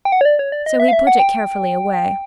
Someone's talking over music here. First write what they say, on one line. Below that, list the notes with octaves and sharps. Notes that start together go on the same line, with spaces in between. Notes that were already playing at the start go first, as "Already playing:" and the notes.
So he put it carefully away.
G5
F#5
C#5
D5
C#5
D5
D#5
E5
F5
E5
F#5
G5